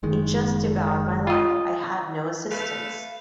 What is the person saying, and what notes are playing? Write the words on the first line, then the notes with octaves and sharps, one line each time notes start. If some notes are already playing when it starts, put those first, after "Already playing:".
It just devoured my life I had no assistants.
F#1 D#3 G#3
F4 D#5
A3 B4 F5